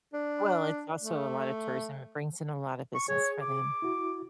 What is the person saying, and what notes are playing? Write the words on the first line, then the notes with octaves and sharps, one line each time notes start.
Well, it's also a lotta tourism, it brings in a lot of business for them.
D4
A3
C#6
G#4 C#5
D6
E4 F#4